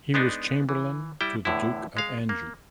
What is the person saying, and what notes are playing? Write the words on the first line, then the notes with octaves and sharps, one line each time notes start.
He was Chamberlain to the Duke of Anjou.
G#3 B3 D4 D#4
E3
G3 E4 G5
E2 A2 D3 E4
G#3 F5
A#3